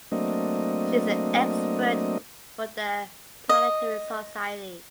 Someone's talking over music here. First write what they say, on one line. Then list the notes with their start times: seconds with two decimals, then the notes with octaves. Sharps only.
She is an expert for The Planetary Society.
0.12 F#3 A3 A#3 C4 D4 D#5
3.49 D#5